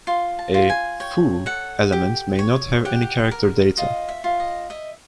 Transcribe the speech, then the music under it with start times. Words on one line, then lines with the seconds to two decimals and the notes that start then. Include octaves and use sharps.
A "foo" element may not have any character data.
0.07 F4 C6
0.39 A5
0.54 F4
0.69 G#5
1.00 C#5 G5
1.46 A4 F#5
1.92 G4
2.39 C#5
2.85 G4 F#5
3.31 A#4
3.77 F4 D#5
4.09 E5
4.24 F4
4.40 D#5
4.70 D#5 E5